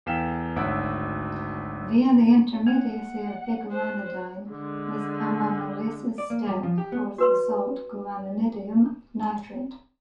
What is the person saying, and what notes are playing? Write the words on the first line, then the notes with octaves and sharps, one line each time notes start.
Via the intermediacy of biguanidine, this ammonolysis step affords the "salt" guanidinium nitrate.
E2 A4 F5 G5 B6 E7
G#1 D2 C#5 E5 F#5 D7
A#3 F#5
C5 F#6
D3 G#3
D5
A#3
G3
F3
G4
B3
F#4 B4 C6